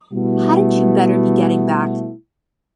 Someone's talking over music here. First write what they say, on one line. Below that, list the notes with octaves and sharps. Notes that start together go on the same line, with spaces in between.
Hadn't you better be getting back?
B2 G3 A3 B3 E4 F#4